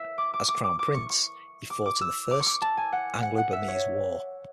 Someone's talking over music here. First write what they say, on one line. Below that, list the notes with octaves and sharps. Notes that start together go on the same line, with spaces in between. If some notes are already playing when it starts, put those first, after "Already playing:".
As crown prince, he fought in the First Anglo-Burmese War.
Already playing: E5
D6
D6
D6
D6
D6
C#6
C#6
D6
D6
E6
D6
C#6
D6
A5
G#5
F#5
F#5
F#5
E5
C#5